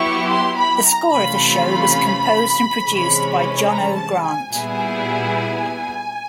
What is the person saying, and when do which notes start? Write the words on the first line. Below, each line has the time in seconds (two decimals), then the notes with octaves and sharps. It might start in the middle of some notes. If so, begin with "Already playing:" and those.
The score of the show was composed and produced by Jono Grant.
Already playing: F#3 B3 E4 G4 C#6
0.29 C6
0.57 B5
0.86 A#5
1.13 C3 E3 A3 C#4 F4 B5
2.83 C3 E3 G#3 C#4
3.68 A#5
3.95 A5
4.24 G#5
4.52 A#2 G3 B3 E4 G#4 G#5